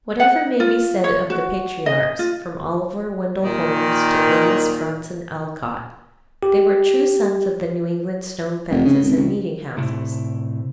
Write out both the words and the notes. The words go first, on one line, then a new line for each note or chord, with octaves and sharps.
Whatever may be said of the patriarchs, from Oliver Wendell Holmes to Amos Bronson Alcott, they were true sons of the New England stone fences and meeting houses.
F#5
F4
C#5
F#4
D#5
F4
A#2 D#3
G4
F1
C#3
G#1
C#2
A2 C3 E4